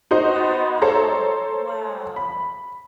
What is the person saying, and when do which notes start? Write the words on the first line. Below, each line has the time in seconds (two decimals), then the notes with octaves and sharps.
Wow. Wow.
0.11 D#4 F#4 C5 D#5
0.82 A4 C5 C#5 A#5
2.16 B5